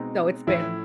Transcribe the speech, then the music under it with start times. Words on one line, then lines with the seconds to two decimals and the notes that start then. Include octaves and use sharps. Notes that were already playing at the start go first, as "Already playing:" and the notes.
So, it's been
Already playing: B2 G#3 C4 D#4
0.47 A2 F3 A3 C#4 E4